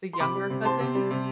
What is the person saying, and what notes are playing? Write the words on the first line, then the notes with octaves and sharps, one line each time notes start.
the younger cousins
C6
C3 B5 D6
G3
C3
C4 A5 C6
C3
G3
C3